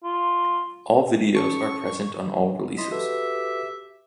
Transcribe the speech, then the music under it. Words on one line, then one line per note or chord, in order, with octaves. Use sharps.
All videos are present on all releases.
F4
C#4 A5 C#6 C#7
E4 D#5 C6 B6
F#4 G4 A4 B4 E5